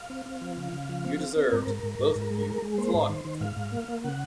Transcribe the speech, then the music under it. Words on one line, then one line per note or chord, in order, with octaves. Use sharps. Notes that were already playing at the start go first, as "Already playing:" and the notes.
You deserved, both of you, flogging for that!
Already playing: F5
C4
C4
F3
C#3
C#3
F3
C4
C4
C4
G#2 A#4
G#2
G#2
G#2
G#2
G#3
G#3
G#3
A#3 C5
G#2
D#3
D#3
G#2 F5
G#2
A#3
A#3
C#3 F#5